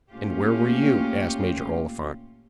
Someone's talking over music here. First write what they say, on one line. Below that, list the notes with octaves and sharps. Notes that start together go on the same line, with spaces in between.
"And where were you?" asked Major Oliphant.
A#2 A3 C#4 F4 G4